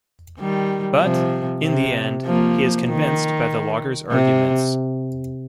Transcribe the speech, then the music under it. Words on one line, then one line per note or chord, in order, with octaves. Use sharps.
But in the end, he is convinced by the logger's arguments.
D#3 G3
C3 F3
C3
F3 A#3
D#3
C3